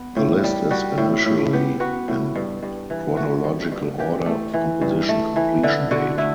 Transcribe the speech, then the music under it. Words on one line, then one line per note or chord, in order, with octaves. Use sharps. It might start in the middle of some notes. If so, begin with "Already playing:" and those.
The list is initially in chronological order of composition completion date.
Already playing: B3
A2
G3
G3 F#4
A2
A2
B3 G4
B3 F#4
A2
G2
G2
E3
A3 F#4
G2
G2
E3 G4
A3
E3
G2
A3
E3
D3 E4
D3 F#4
A3 E4